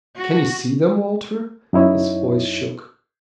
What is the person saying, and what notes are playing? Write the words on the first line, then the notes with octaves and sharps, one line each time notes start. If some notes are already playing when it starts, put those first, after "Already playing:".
"Can you see them, Walter?" His voice shook.
F#4
F#2 D#4 E4 C#5